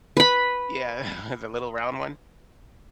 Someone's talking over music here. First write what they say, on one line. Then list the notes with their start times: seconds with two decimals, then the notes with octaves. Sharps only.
Yeah, the little round one?
0.17 B4 B5